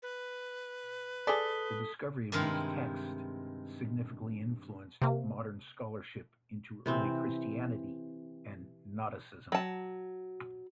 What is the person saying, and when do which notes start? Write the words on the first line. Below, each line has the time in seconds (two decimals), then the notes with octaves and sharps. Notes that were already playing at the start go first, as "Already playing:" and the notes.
The discovery of these texts significantly influenced modern scholarship into early Christianity and Gnosticism.
0.03 B4
1.27 G#4 A4 D5 D#6 B6 G7
2.32 G2 C3 D#3 G#3 E4 F5
5.02 C3 A#3
6.86 C3 E3 C4
9.52 F#3 A5